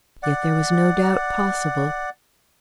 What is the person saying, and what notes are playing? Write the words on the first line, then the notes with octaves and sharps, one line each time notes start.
Yet there was no doubt possible.
D5 F#5